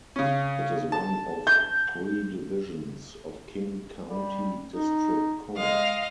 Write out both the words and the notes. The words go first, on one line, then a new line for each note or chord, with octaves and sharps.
It is one of three divisions of King County District Court.
C#3 C#4
A5
G6
G3
D#4
G#3 D#5 F5